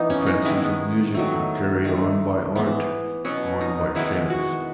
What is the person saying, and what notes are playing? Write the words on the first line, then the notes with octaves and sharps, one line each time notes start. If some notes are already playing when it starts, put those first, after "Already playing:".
The fancies of music are carried on by art; mine by chance.
Already playing: E3 B3 D#4
C#4
D#4
D#3 G#3 B3 E4
D#3 F#3 A3
D#3 A3
E3 B3
B2 F#3 B3 C#4
D#4
D#3 G#3 B3 E4
F#4